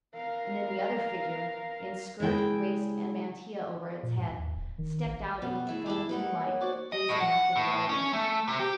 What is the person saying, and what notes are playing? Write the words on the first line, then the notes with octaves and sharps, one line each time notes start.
And then the other figure, in skirt, waist, and mantilla over its head, stepped out into the faint moonlight, gazing after the rider.
A#4 F5
C#3 G#3 E4 G5
A#2
G#2
D#2
D1
D#3
A1
B2 B3
A3 E4 G#4 E5
G3 D4 G#4 E5
A#3 D#4 B4 F#5 B5
C#5
F#4 C5 D5
D#5
A2
F#5
A2
C#4
A3
C3
G4